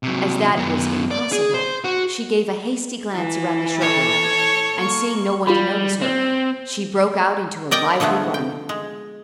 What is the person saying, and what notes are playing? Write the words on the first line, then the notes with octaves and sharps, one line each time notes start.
As that was impossible, she gave a hasty glance around the shrubbery, and seeing no one to notice her, she broke out into a lively run.
C3 F#3
F#2 B3
D5
G#4
C5
F#4
E3
A4 C#5
A#3 C#6
G3 F4 G4 B5
C4
A#4 D5 D#5 G5
D3 F3 G#3 A3 B3
G5
G#3